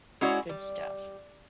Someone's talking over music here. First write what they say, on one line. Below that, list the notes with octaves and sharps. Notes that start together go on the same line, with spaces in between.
Good stuff.
G#3 C#4 E4 F#4 C#5 D5
G3